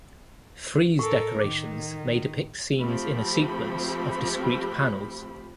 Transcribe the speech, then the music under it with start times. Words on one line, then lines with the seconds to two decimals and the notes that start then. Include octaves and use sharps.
Frieze decorations may depict scenes in a sequence of discrete panels.
0.99 A2 A4 A#4
1.40 D#3 D6
2.79 F3 A3 C4 G4 B5